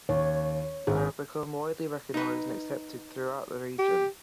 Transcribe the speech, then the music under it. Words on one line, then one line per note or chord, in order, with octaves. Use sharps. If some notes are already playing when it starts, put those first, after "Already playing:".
They have become widely recognized and accepted throughout the region.
D#2 C#5
G#1 G#4
D#4 B4
G4